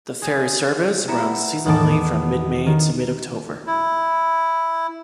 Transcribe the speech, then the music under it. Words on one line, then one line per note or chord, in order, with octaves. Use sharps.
The ferry service runs seasonally from mid-May to mid-October.
G#4
B3 E4 E5 A#5 C#7 E7
E2 A2 D#3 D#4 A5 D6
B3
D#3
E4